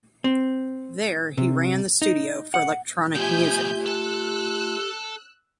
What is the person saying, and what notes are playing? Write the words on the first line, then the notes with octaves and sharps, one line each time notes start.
There he ran the studio for electronic music.
C4
C3
D#4
F#5
B2 F3 A3 F4 G4 E5 G#5 G6
A4 A5 E6 F#6